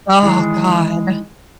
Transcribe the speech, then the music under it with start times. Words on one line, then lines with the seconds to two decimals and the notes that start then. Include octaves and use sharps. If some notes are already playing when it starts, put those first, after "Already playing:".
Oh, God.
0.22 D#3 E3 G#3 G#4